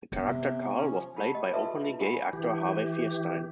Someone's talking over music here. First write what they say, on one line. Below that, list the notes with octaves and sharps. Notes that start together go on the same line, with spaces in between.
The character Karl was played by openly gay actor Harvey Fierstein.
B3
C3
C#4
F3
G4 F#5 A5 B5
G4 D#5
F4 A4 B4 E5 A5 C6
E4 F4
F4 G4 F#5 G#5 B5 C6
E3 G4